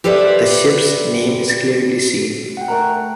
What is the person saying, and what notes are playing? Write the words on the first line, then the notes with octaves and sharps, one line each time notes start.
The ship's name is clearly seen.
G4 A4 B4 C5 D5 E5
F#5 G5
A3 A#4 A#5 F#6